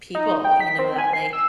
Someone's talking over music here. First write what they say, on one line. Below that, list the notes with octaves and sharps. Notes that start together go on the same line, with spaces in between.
people, you know, that, like,
D#4
G5
B6
C4
G#5
C7
E6